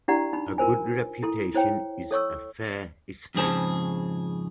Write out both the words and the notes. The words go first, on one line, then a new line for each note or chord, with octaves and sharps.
A good reputation is a fair estate.
D4 E4 G4 D5 F#5 A#5
D#4 B5
F4 A#4 C5 G#5
E4 A4 C6
E4 C5 C#5 G5
A4 C#5 C#6 E6
F2 G#2 C#3 G#4 C5 A5